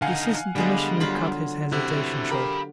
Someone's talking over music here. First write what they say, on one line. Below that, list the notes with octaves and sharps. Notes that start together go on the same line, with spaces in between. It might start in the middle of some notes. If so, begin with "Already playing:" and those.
The Assistant Commissioner cut his hesitation short.
D3 D#4 F5 F#5 G#5
D3 G3 G#3 B3
F#3 F4 B5
C3 E4 F#4
G4 A#4 F5 B5